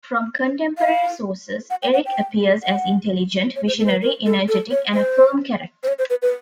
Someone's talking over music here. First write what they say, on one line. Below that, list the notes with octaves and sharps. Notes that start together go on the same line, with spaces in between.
From contemporary sources, Eric appears as intelligent, visionary, energetic and a firm character.
F5
F#5
G5
F#5
G5
F#5
C#5
C5
A4
C5
B4
A#4
A4
A4
C#5
C5
C5
C#5
C5
B4
B4